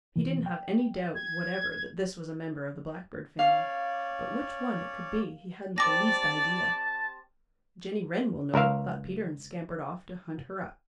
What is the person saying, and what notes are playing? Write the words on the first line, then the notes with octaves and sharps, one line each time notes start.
He didn't have any doubt whatever that this was a member of the Blackbird family, but which one it could be he hadn't the least idea. "Jenny Wren will know," thought Peter and scampered off to hunt her up.
B2 E3
G5
G#6
C#4 C#5 D5 F5
C4 G4 D5 A5 D6 A#6
C#2 A#4 E5 F5